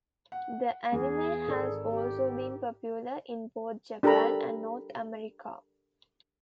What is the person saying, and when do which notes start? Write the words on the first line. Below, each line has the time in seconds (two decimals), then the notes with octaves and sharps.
The anime has also been popular in both Japan and North America.
0.32 F#5
0.92 E2 G#4
1.47 G#1 A4 D5
1.90 G4
4.03 D4 G4 A4 A#4 A#5 B5